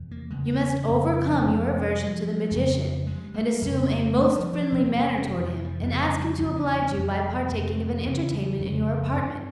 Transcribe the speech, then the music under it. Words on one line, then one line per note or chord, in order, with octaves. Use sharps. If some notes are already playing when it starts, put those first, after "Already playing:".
You must overcome your aversion to the magician, and assume a most friendly manner toward him, and ask him to oblige you by partaking of an entertainment in your apartments.
Already playing: E2 C3
A#3
E2 C#3 G#3
C4
C#4
F2 C#3 C4
G#3
G3
F3
F2 C3 F3
G2
F2 C#3
G2 G#3
G3
F2 C#3 G3
A#3
G2 G3
F3
F3
E2 C3 F3
G3
G#3
G3
F2 C3 F3
E3
F3
F2 C#3 G3
G#3
G3
E2 C#3 F3
E3
F3
F2 C3
G3
F2 C3 A#3
C4
E2 C#3
F2 C#3
G2 C4